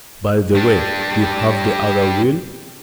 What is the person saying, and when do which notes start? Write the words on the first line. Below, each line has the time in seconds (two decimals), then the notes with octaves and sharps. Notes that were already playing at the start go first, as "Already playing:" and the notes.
"By the way, you have the other will?"
0.55 G3 D4